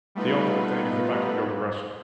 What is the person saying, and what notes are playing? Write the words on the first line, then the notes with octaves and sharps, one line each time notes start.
the ultimate thing is if I could go to Russia.
G3 A3 B3 D#4 F4 B4